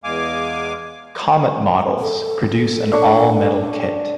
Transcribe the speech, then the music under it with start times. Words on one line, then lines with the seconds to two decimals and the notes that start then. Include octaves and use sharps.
Comet Models produce an all-metal kit.
0.04 E2 G#3 F5 G#5 D6
2.00 A4
2.92 D4 C#5